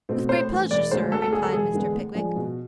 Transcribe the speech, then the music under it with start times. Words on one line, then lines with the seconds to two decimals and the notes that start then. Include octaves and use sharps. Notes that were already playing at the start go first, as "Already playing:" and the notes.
'With great pleasure, Sir,' replied Mr. Pickwick.
0.09 B2 A3 C4
0.29 A2 C5
0.50 E3 A3
0.71 E1 D5
0.91 D2 D3 G#3 C5
1.12 D2 A4
1.22 A4
1.32 D3 G#4
1.36 G#3
1.43 A4
1.53 E1 G#4
1.74 E2 D3 G#3 B3
1.94 A2
2.15 F3 G#3 D4 G#4
2.36 B2